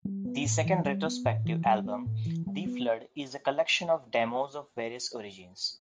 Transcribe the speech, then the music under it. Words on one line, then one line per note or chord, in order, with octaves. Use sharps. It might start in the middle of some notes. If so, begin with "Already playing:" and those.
The second retrospective album, "The Flood", is a collection of demos of various origins.
G3
B3
A2
E3
G3
B3
A2
E3
G3
B3
A2
E3
G3
B3